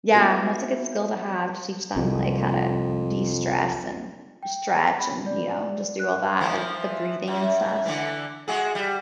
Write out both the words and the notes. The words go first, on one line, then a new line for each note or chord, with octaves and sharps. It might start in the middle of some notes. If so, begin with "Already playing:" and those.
Yeah. No, it's a good skill to have to teach them, like, how to destress and stretch and, you know, just do all that, like, the breathing and stuff.
A3 B3 D#4 F4 F#4
C2 F2
G5
B5
D5
F#6
E3 F3
F#2
D3 E3
G#3 F#4 G#4
G3